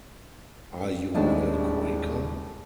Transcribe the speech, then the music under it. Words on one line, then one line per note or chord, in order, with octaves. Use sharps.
Are you a Quaker?
D#1 D#2 A2 G#3 D4 E4